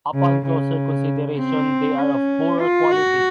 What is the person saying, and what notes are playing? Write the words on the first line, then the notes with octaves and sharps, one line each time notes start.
Upon closer consideration, they are of poorer quality.
C#3
C#3
C4
C#4
F4
F#4